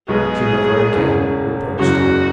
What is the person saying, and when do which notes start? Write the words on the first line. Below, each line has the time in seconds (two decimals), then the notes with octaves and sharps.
She never again reproached him.
0.08 B1 B2 G#3 G#4
0.93 E1 E2 C#3
1.79 F#1 E2 C#3 F#3 F#4